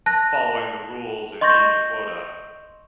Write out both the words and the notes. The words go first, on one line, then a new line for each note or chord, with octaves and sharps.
following the rules and meeting a quota.
A5 F#6 A#6
D#5 C6 C#6 G6 A#6